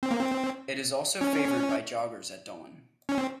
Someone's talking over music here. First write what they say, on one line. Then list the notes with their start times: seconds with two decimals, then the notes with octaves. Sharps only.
It is also favoured by joggers at dawn.
0.03 C4
0.11 A#3
0.19 C4
1.21 C#4
3.09 C#4
3.18 C4